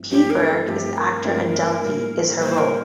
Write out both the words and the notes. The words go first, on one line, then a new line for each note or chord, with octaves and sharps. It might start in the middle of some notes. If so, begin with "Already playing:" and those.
P. Burke is the actor and Delphi is her role.
Already playing: G2 F3 A3 C4 E4
G2 F3 A3 C4 E4 G4
A#4
A4
G2 F3 A3 C4 E4 G4
A#4
G2 F3 A3 C4 E4
A2 G3 A#3 E4
A2 G3 A#3 E4 C5
A#4